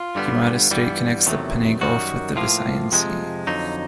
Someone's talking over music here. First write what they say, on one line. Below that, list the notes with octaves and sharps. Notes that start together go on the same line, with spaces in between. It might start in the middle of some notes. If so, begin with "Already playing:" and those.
Guimaras Strait connects Panay Gulf with the Visayan Sea.
Already playing: F4
G2 D3 G3 B3
G2 E3 G3 B3
E2 C3 D#3 F#3 A3
F#2 D#3 G3 F#4
A2 F3 A#3 F4
F2 C3 F3 G#3
F2 D3 F#3 D#4